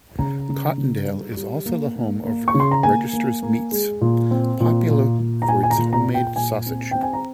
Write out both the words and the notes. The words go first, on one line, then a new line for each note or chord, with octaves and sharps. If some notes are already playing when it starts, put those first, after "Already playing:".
Cottondale is also the home of Registers Meats, popular for its homemade sausage.
C#3 A#5
C#3
C#3
G3
G3
A#3
A#3
A#3
C#6
C#3
C6
A#5
A#3 G#5
A#3
A#3
G#3
A#2
C4
A#2
A#2
A#2
A#5
A#2 G#5
G#5
A#5
A#2
A#5
A#2
G5
A#2 G#5
C4
C4 G5
G#5
A#5